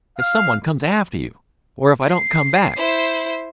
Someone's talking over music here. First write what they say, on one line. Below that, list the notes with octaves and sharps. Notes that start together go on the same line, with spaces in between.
If someone comes after you, or if I don't come back.
F5
C7
E4 C5